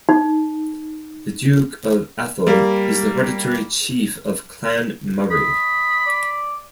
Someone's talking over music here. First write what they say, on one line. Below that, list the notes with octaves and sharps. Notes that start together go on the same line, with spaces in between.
The Duke of Atholl is the hereditary chief of Clan Murray.
D#4
G3 A#3
D#5 B5
D5